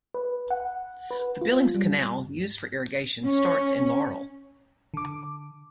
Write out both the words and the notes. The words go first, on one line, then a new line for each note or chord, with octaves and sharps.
The Billings Canal, used for irrigation, starts in Laurel.
B4
F#5
B4
F4
G3
C#4
D3 D6